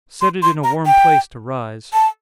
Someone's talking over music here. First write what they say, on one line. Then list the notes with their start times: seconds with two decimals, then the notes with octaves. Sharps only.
Set it in a warm place to rise.
0.21 C6
0.42 C6
0.64 A#5
0.86 G5
1.93 A5